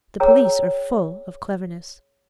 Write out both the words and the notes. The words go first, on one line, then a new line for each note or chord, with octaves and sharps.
The police are full of cleverness.
G#4 C#5 G5 A#5 E6